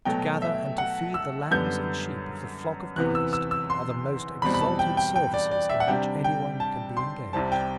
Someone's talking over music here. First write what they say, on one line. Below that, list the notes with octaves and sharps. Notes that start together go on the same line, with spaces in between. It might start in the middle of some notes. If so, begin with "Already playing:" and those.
To gather and to feed the lambs and sheep of the flock of Christ are the most exalted services in which any one can be engaged.
B2 F#3 A3 G5
E5
F#5
E6
F#2 D3 G3 B3 G6
E2 C3 E3 B3 F#6
E6
E6
E6
C6
E2 B2 G3 C4 B5
B5
A5
G5
G5
G5
D5
D5
E5
F#5
C3 G3 D4 G5
G5
A5
C6
C2 C3 G3 C4 A5
G5